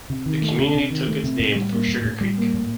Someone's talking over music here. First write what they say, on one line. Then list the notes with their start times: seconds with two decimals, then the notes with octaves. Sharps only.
The community took its name from Sugar Creek.
0.10 C3
0.26 D#3
0.42 A3
0.59 C3
0.75 C3
0.90 D#3
1.08 A3
1.24 C3
1.39 A2
1.56 G3
1.72 A#3
1.88 A2
2.05 A2
2.21 G3
2.38 A#3
2.54 A2